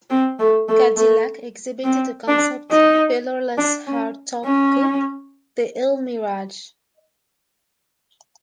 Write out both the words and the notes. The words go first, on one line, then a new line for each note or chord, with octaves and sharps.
Cadillac exhibited a concept pillarless hardtop coupe, the Elmiraj.
C4
A3
A3
A3
C4
D4
D#4
D4
C#4
C#4